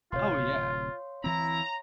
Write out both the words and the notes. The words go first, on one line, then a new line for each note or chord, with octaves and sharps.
Oh, yeah.
D1 C3 F4 C#5 F5 C6
D2 E3 C4 E4 A#5